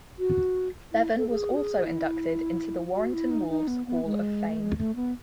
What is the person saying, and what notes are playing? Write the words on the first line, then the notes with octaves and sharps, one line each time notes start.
Bevan was also inducted into the Warrington Wolves Hall of Fame.
F#4
E4
A4
G#4
F#4
G#4
E4
F#4
E4
D#4
D#4
B3
B3
G#3
A3
G#3
A3
B3